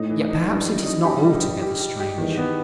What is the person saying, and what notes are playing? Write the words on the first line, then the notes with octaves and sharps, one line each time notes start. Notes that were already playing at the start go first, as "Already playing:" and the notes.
Yet, perhaps, it is not altogether strange.
Already playing: A2 D#4
E3
D#4
G2 G3
G3
F#2
D#4
F#2 G4
G3
G2
G4
G4
G4
G4
E2 D#3
B3